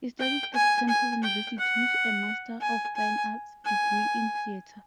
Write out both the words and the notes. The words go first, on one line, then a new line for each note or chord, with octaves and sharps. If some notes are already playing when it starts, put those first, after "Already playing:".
He studied at Temple University with a Master of Fine Arts degree in theatre.
G5
G#5
G#5
G5
F#5
G#5
G#5
G#5